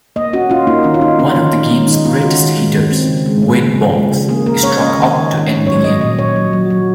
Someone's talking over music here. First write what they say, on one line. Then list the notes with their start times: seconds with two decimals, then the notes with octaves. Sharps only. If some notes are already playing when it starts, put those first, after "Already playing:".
One of the game's greatest hitters, Wade Boggs, struck out to end the game.
0.16 A#3 D#5
0.33 C#4 F#4
0.50 C#4 F4
0.67 A#3 D#4
0.84 D#3 C#4
0.94 F4
1.01 C#4 D#4
1.19 C#4 F4
1.36 D#3 C#4
1.53 D#3 D#4
1.70 G#3 C#4
1.88 D#3 D#4
2.05 C#4 F4
2.22 C#4 F#4
2.40 D#3
2.57 G#3
2.74 D#3
2.92 C4
3.08 C#3
3.26 G#3
3.43 G#3
3.60 C#3
3.78 F3
3.95 G#3
4.12 C#3
4.29 A#3 G#4
4.46 A#3 A#4
4.63 C#4 C#5
4.81 C#4 D#5
4.98 D#3
5.16 D#3
5.32 D#3
5.50 C#4
5.67 F#3 C#5
5.84 F#3 D#5
6.01 A#2 D#5
6.19 A#2 C#5
6.36 F#3
6.53 F#3
6.70 F#3